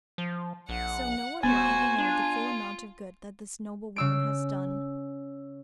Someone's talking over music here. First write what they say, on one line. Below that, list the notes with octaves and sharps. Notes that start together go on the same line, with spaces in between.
So, no one will ever know the full amount of good that this noble woman has done.
F3
A#1 F#5
D#1 B3 F#4 C5 G#5
D4 F4
C#3 E6 D7